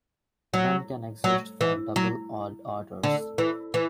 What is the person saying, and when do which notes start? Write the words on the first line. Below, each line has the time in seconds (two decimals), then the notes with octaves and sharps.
None can exist for double odd orders.
0.54 F#3
1.24 F#3
1.61 E3
1.96 F#3
3.03 D3
3.38 E3
3.74 E3